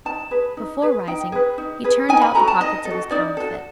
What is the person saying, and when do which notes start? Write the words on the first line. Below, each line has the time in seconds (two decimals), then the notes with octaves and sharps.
Before rising he turned out the pockets of his counterfeit.
0.05 D#4 A5
0.31 G#4 B4
0.57 D#4
0.82 G#4 B4
1.07 D#4 G5
1.32 G#4 B4
1.58 D#4
1.84 G#4 B4
2.09 D#4 G#5
2.22 B5
2.35 F#4 A4 A#5
2.48 A5
2.60 D#4 D#5
2.85 A4
2.90 F#4
3.11 D#4 D5
3.37 F#4 A4